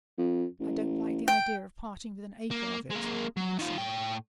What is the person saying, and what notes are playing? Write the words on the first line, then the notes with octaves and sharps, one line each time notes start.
"I don't like the idea of parting with an acre of it," he had said.
F2
A1
G5
A#3
G#3 A#3
F#3
D#3 F4
A2 G5